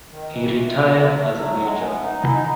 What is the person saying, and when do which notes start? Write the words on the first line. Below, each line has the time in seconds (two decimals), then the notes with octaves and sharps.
He retired as a Major.
0.11 D#3
0.22 D#5
0.30 E3
0.39 C#3 D#5
0.49 D#3 E5
0.63 D#3
0.69 C#3
0.87 D#3
1.00 B3
1.07 A3
1.35 F#3
1.64 G#3 A5
1.71 F#5
1.78 B3 G#5
1.94 E5
2.03 D#4 F#5
2.22 E4 G#5
2.32 D#4 F#5